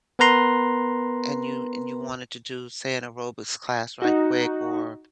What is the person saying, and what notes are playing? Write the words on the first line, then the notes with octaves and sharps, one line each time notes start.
and you and you wanted to do, say, an aerobics class right quick or
B3 A#4 B4 A#5 C6
D#4 F#4